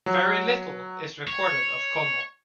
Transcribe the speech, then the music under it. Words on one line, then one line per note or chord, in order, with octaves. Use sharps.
Very little is recorded of Conall.
F#3
C#5